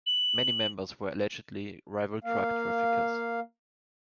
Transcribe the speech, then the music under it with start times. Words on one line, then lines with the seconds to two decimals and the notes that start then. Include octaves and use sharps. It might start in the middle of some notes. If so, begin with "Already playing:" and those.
Many members were allegedly rival drug traffickers.
0.06 F#7
2.24 A#3 F5